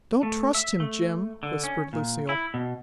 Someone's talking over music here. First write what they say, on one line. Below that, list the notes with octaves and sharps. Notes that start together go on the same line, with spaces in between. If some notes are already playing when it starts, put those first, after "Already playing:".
"Don't trust him, Jim," whispered Lucille.
A3
E5
A3
D3
C#4
A#2
E4
B2